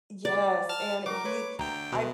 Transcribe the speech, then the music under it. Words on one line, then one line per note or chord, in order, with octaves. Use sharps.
Y yes, and he h I
D5
A5 F6 A6
F#3 A#4 D6
B4 C#5
D2 G5 A#5
B2